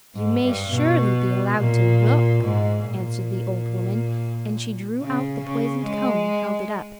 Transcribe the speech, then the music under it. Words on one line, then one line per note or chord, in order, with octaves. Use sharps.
"You may surely be allowed to look!" answered the old woman, and she drew out the poisoned comb and held it up.
G#2
G2
B2
A#2
G#2
A#2
C#3
C#3
G#3